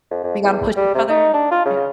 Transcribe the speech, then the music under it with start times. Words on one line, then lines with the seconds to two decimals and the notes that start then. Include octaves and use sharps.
we gotta push each other, yeah.
0.11 F2
0.24 F2
0.43 E2
0.77 G3
0.95 C3
1.10 D#4
1.34 D4
1.51 F4
1.66 C#3